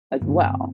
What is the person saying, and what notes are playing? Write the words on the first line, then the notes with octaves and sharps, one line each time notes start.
as well.
G2 D3 A#3
C4